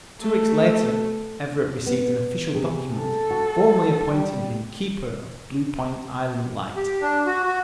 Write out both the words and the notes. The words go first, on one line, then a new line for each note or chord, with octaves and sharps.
Two weeks later Everett received an official document formally appointing him keeper of Blue Point Island light.
A3
B3
C3 G#4
A4
F#4
G3
G4
D4
F#4
F#4